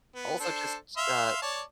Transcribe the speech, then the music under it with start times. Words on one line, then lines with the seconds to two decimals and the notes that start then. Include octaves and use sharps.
also just, uh
0.15 B3
0.40 D4 A4 C5
0.97 E5 F5 C6
1.42 C#5 D5 A5